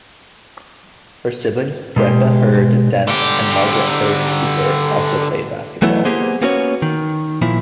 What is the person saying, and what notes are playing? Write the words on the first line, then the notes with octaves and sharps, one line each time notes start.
Her siblings Brenda Heard Dent and Margaret Heard Cooper also played basketball.
B2 G#3 G4
D3 G4
E3 F#3 A3 B3 E4
A#3 B3 G4 G#4 C5
A#3 B3 C#4 F#4 C5 C#5
D#3
A#2 F3 E4